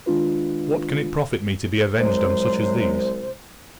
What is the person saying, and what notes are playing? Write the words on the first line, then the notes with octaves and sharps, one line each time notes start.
What can it profit me to be avenged on such as these?
D#3 G#3 D4 F4 B4
C2 F#3 G#3 C5